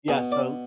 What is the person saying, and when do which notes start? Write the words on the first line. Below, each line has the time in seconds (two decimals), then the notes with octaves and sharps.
Yeah, so
0.08 B2 G#4
0.32 D5